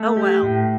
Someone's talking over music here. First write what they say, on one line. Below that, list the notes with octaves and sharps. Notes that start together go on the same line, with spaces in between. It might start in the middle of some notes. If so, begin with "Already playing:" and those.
Oh, wow.
Already playing: A3
G4
A2